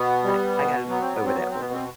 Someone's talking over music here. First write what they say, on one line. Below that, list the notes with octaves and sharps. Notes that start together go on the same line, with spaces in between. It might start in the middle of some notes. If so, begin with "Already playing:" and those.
I I got over that real quick.
Already playing: B2 B3
G3
B2
F#3 B3
C4
B3
F#3 C4
B3
C4
B2 B3
C4